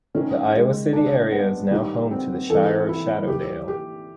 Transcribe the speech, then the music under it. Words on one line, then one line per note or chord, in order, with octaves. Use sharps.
The Iowa City area is now home to the Shire of Shadowdale.
D#3 C#4
G#3
D4
B3
D#3 G3
C4
E3 A4
E4
G4
G4